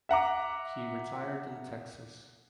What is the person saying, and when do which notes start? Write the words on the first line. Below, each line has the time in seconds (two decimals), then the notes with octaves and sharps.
He retired in Texas.
0.09 E5 F#5 A#5 D6